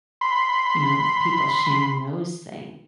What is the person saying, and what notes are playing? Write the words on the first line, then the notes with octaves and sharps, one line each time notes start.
you know, with people sharing those things.
B5 C6